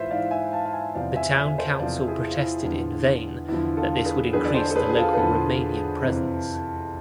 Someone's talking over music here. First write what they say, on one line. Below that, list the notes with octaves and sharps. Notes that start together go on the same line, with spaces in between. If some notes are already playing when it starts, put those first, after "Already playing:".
The town council protested in vain that this would increase the local Romanian presence.
Already playing: G#2 E3 E4 F4 B4 C5 E5
G#2 E3 D5 F5
E5 G#5
F5 A5
F5
E5 G#5
E2 C3 F3 D5 F5
E5 G#5
E5 G#5
A4 C5
E2 C3 F3 D5 F5
E4 G#4
F4
E4
E2 D3 F3
E2 D3 F3 E4
F4 A4
G#4 B4
E2 D3 F3 G#4 B4
D5
A4 C5
A4
G#4 B4
G#4
F4 A4
B4
E2 D3 F3 F4 A4
F2 C3 E3